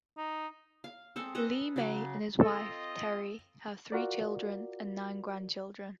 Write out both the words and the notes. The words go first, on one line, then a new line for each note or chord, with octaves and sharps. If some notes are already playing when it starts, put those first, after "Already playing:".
Lee May and his wife, Terrye, have three children and nine grandchildren.
D#4
F5
G#3 C4 A4
A4 B4 D#5 A#5
C#3 F#3 D6
C4 F4 A4 D#5
F4 F#4 A#4 D5